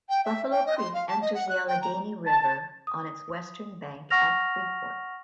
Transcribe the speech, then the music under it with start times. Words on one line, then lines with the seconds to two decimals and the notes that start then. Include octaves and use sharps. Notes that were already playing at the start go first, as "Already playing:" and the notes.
Buffalo Creek enters the Allegheny River on its western bank at Freeport.
0.09 G5
0.25 E5
0.51 G5
0.66 D#5
0.78 C6
0.94 F5
1.08 A5
1.21 D#5
1.34 F#5
1.49 F#6
1.68 G5
1.82 A#5
2.25 A5
2.87 D#6
4.10 F#5 C#6 F6 A#6 F7